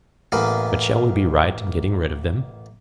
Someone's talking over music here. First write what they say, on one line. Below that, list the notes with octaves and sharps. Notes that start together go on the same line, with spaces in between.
But shall we be right in getting rid of them?
A1 A#3 B3 F5